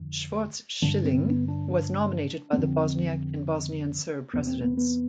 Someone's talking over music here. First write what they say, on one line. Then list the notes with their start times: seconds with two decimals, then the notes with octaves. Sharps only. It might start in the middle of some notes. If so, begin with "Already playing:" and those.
Schwarz-Schilling was nominated by the Bosniak and Bosnian Serb presidents.
Already playing: F2 D3
0.82 G2 D3 D4
1.04 C4
1.26 B3
1.48 D4
1.70 D4
2.53 B3
2.57 F2 D3 C4
4.33 E2 C3 B3
4.47 C4
4.61 B3
4.77 B3